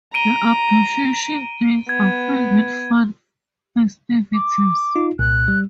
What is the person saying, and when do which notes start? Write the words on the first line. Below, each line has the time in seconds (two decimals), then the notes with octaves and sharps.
The Appreciation Days are filled with fun festivities.
0.14 A#5 D7 D#7 G7
1.89 B3 G#6
4.33 D6
4.96 D#4 F4
5.19 C2 A#2 F#6
5.48 G3